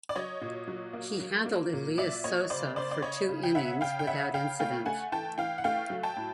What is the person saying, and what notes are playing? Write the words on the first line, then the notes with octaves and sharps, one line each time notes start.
He handled Elias Sosa for two innings without incident.
D5
F#3 C#5 D#5
A#2
F#3
A#3
F#3
A#3
A#2
F#3 D5 E5
A#3 C#5 D#5
C#3 C5 D5
C#3 C5 D5
D5
C#3 C#5 D#5
C#3
G5
C#3 E5 F#5
C#3 F5 G5
G5
C#3 E5 F#5
C#3 F5 G5
A3 F5 G5
A3 F#5 G#5
E3 G5 A5
E3 F5 G5
F#5
A3 F5 G5
F#3
G5 A5
A2